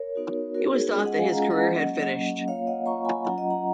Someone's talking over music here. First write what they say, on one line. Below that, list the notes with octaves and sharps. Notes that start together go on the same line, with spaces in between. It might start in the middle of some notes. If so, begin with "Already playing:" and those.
It was thought that his career had finished.
Already playing: A#4 C#5
B3 D#4 F#4
B3 D#4 F#4 A#4
G#4
G#3 C#4 F4 G#4
D#5 F#5
F5 G#5
G#3 C#4 F4 F#5 A#5
D#5 F#5
F#3 A#3 C#4
F#3 A#3 C#4
A#3 F4 C#5 F5
D#5 F#5
A#3 F4 A#5 C#6
G#5 B5
F#3 C#4 F4 F#5 A#5
D#5 F#5
F#5 A#5